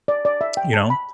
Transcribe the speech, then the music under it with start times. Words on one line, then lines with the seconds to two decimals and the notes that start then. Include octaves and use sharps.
you know,
0.08 D5
0.25 D5
0.41 E5
0.57 G5
0.73 A5
0.90 B5